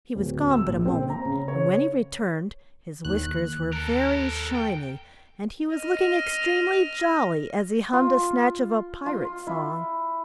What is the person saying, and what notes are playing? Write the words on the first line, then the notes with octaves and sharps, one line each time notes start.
He was gone but a moment, and when he returned his whiskers were very shiny, and he was looking extremely jolly as he hummed a snatch of a pirate song.
D1
E6
A#1
C4
A#5
C#3
C#5
D#2 F#6
A4 A#4
G5
D#5 F6
F4
F4
E4